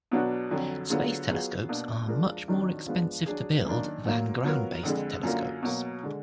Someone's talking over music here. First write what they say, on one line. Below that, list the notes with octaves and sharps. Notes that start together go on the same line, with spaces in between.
Space telescopes are much more expensive to build than ground-based telescopes.
B2 F#3 B3 D4 F#4
F2 D3 F#3
D3 F#3 B3 F4 G#4
F#3 B3 F4 G#4
B2 A#3 D4
F3 G#3 D4 F4 A#4
F2 D#3 F#3 D4
F3 G#3 B3 D4 F4
F#3 D4 G#4
F#2 D#3 A#3 D4
A#2 F#3 A#3
F#3 B3 F4 A#4
F2 D3 G#3
F#2 D3 F#3 A#3 F4
B2 F#3 A#3
D3 G#3